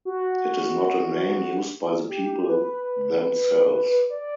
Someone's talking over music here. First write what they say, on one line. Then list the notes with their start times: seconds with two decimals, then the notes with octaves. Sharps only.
It is not a name used by the people themselves.
0.05 F#4
2.09 G4
2.49 B4
4.10 D5